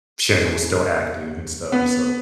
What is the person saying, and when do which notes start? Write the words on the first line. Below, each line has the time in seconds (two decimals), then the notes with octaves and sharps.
channel was still active and stuff. So,
1.72 B3